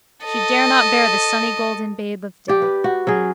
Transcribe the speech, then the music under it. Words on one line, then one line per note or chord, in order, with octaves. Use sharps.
She dare not bear the sunnygolden babe of day.
A4 D#5
G4 D5
B4
F#4
F#3 C#4 G#4